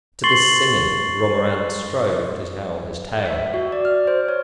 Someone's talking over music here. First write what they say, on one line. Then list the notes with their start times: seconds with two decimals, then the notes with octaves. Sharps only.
To this singing Romarin strove to tell his tale.
0.24 C6 C#6 A6 C7 F#7 G7
3.26 E5
3.54 F#4
3.72 D5
3.85 F6
4.07 C5
4.29 C#5